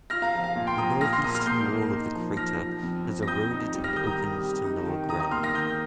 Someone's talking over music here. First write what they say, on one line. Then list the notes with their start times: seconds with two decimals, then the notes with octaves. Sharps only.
The northeastern wall of the crater has eroded and opens to lower ground.
0.10 F4 F6 A#6
0.22 F5 A#5
0.33 F3 F5
0.44 F5
0.56 A#2
0.67 G5 C6
0.78 F3 A#5 D#6
1.01 A#2 F6 A#6
1.13 C6 F6
1.23 A#3 A#5 D#6
1.35 C6 F6
1.46 A#3 G6 C7
1.69 A#3
1.92 D#4
2.14 F3
2.37 F3 F6 A#6
2.60 F3
2.83 F2
3.05 F3
3.23 A#6
3.27 F2 D#6 G6
3.51 D#4
3.73 G3
3.84 F6 A#6
3.96 D#3 D#6 G6
4.07 A#5 D#6
4.19 G3
4.41 C3
4.64 D#4
4.86 D#3
5.09 D#3 A#5 D#6
5.20 A#5 D#6
5.31 A#3 C6 F6
5.43 F6 A#6
5.54 D#3 D#6 G6